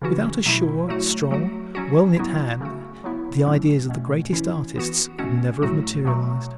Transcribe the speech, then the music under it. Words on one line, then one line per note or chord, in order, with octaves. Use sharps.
Without a sure, strong, well-knit hand the ideas of the greatest artists could never have materialized.
C#3 E3 C#4 F#4
B2 F#3 A3 E4
A2 F#3 A3 F#4
F#3 A3 F#4
F#3 C#4 F#4
A2 F#3 B3 E4
C#3 A3 C#4 F#4
F#3 B3 E4
A2 F#3 A3 C#4
B2 A3 C#4
E3 C#4 E4
E3 B3 F#4
B2 A3 C#4 F#4
A2 F#3 A3 F#4
B2 F#3 A3